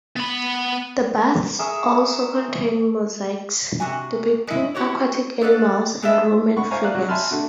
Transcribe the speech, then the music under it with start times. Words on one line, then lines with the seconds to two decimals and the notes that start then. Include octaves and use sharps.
The baths also contain mosaics depicting aquatic animals and Roman figures.
0.16 B3 B5
1.59 G#4 A#4 C#5 E5
3.80 C3 F#4 G#5
4.47 G#3 E4
4.75 E4 F#4 G4 C#5
5.41 B3 A4 B4 D5 F5
6.02 G#3 A3 B3 E5
6.57 F#5 B5 C#6
6.71 C5 E5 F5 G#5 A#5 C#6
6.83 D5 E5 F5 A#5 F#6
6.95 F#3 F#4
7.09 E5 G#5 A5 B5 C6 F6
7.31 A3 D4 F#4